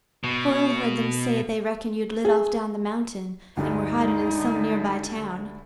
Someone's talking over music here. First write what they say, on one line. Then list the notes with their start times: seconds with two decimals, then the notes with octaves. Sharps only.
Hoyle heard them say they reckoned you'd lit off down the mountain, and were hiding in some near-by town.
0.24 B2
2.25 G#4
3.57 D2 G2 D3 G#3 D#4